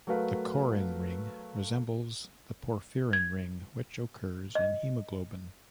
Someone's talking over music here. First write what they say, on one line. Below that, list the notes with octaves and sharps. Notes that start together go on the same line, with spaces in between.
The corrin ring resembles the porphyrin ring, which occurs in hemoglobin.
F#3 A3 A#4 B4 F5
G#6
D#5